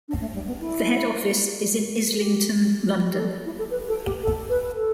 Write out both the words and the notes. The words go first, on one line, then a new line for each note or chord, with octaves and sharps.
The head office is in Islington, London.
D4
A3
G3
B3
E4
G4
G4
A4
E4
A4
B4
A4
G4
A4
B4
A4